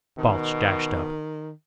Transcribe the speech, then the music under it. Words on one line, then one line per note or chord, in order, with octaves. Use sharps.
Balch dashed up.
B2 D#3